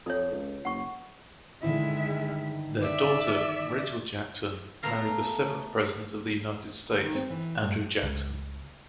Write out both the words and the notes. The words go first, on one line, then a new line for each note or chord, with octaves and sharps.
Their daughter, Rachel Jackson, married the seventh President of the United States, Andrew Jackson.
F2 A4 C#5
C#2
F#1 F#5 C#6
G2 D3 D#3 G#3 E4 E5
D5 E5
A3 B3 A#4 F5
D2
D#3
C4
E3
G2
C#2